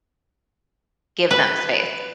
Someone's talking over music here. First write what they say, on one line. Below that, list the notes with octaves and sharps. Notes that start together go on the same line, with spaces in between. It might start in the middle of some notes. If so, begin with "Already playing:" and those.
Give them space.
B4